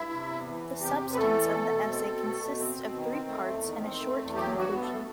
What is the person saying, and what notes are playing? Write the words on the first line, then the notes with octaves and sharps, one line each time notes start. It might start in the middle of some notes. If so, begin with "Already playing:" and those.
The substance of the essay consists of three parts and a short conclusion.
Already playing: G2 E4 E5
C3
E2
E3
E2
C3 G4
E2
B4
E3 A3 A4
E2
A3
B2
C4
B2
A3
B2
C4
B2
D#3
C4
A3
E2
D#3
C4
A3
E2
F#3 G4
G2
F#4
B3
A3 A4
G2